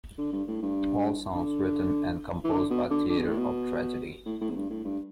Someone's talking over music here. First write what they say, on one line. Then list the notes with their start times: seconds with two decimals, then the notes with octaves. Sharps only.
All songs written and composed by Theatre of Tragedy.
0.18 D3
0.33 G2
0.48 A2
0.63 G2
1.35 D3
2.44 E3
2.52 D3
2.70 B2
2.90 D3
3.09 D3
3.19 B2
3.28 A2
3.38 B2
4.26 A2
4.41 A2
4.50 E2
4.56 G2
4.70 A2
4.85 G2